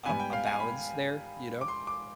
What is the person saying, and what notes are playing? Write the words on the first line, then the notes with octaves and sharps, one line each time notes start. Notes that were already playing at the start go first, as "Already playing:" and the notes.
a a balance there, you know.
G#2 G3 B3 G#5
G5
F5
G#5
B5
D6
C6
D6